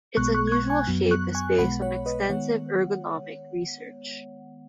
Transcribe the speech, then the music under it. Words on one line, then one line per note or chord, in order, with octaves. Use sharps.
Its unusual shape is based on extensive ergonomic research.
B1 B2 G#3 B3 C#6 F#6
C#6 F#6
G#6
C#6 F#6
G#5 C#6
F#2 F#3 B3
C#6 F#6
G#5 C#6
B1 B2 G#3 B3 F#5 B5
C#5 F#5
B4 D#5
D#3 G#3 B3 C#5 F#5